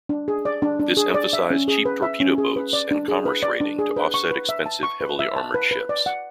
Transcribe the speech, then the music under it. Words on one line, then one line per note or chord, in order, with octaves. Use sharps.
This emphasized cheap torpedo boats and commerce raiding to offset expensive, heavily armoured ships.
D4
G#4
D5
D4
D4
G#4
D5
E5
C#4
G#4
B4
E5
C#4
G#4
B4
D5
D4
G#4
B4
D5
D4
G#4
B4
C#6
B4
E5
A5
C#6
B4
E5
A5
B4
B4
D5
F#5